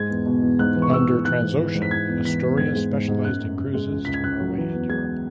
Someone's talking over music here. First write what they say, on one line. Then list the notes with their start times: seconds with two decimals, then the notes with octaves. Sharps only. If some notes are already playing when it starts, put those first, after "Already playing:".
Under Transocean "Astoria" specialized in cruises to Norway and Europe.
Already playing: G#2 G#3 G#6
0.09 E2
0.26 B2
0.42 E2
0.59 G#2 F#6
0.75 E3
0.82 C#6
0.92 G#3 E6
1.08 E3
1.25 E3 F#6
1.41 G#2
1.59 E3
1.75 G#2
1.82 B6
1.91 E3 G#6
2.08 E2
2.24 E3 B6
2.42 E2
2.58 G#2 G#6
2.75 G#3
2.92 G#2
3.08 G#2
3.25 F#2 F#6
3.41 F#2
3.57 F#2
3.74 G#3
3.90 C#2
4.05 C#2 B6
4.14 G#6
4.24 C#2 F#6
4.40 F#3
4.57 E3
4.73 E2
4.89 G#3 G#6